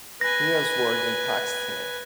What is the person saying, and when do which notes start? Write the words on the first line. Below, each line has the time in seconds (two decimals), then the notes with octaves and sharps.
He has worked in Pakistan.
0.21 B4 G#5 A#6